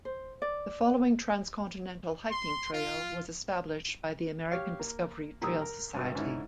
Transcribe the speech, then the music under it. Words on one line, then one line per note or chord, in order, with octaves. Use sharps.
The following transcontinental hiking trail was established by the American Discovery Trail Society.
C5
D5
C6
F4
G4 C#5 F5
A#3
A#2 D#3 G3 A#5 D#6 E6
A#4
G#1 G2
G#2 D3 C#4 D#4 E4